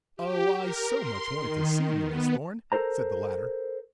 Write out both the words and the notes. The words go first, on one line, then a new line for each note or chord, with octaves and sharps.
"Oh, I so much wanted to see you, Miss Thorn," said the latter.
G4
A#4
C6
D#3
B3
A4 A#4 C5 A#5